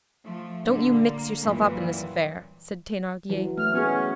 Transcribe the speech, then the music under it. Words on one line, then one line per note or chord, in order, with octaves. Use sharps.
"Don't you mix yourself up in this affair," said Thenardier.
F3 A3
A#2 D3 G3
A#3
F#2 A#2 E3 G3
E3 F#3
A3 F6
B3 C#4 F#4 G#4